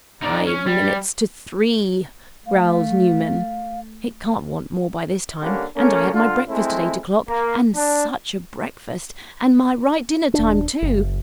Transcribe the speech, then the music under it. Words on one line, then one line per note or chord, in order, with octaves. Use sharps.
'Five minutes to three,' growled Newman; 'it can't want more by this time; and I had my breakfast at eight o'clock, and SUCH a breakfast! and my right dinner-time two!
D#4 D5
C#4
G3
A3 F5
D3 G3 A#3 C#4
A3 A#3 C#4
D3 F4
G#3 A3 C4 E4
A#3
D4
D#1 D4
F#1